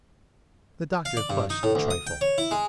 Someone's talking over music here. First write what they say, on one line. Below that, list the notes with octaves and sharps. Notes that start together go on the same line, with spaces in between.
The Doctor flushed a trifle.
F5
D5
G2
D#4
A2
D2
D#6
G5
C#5
E4
G#3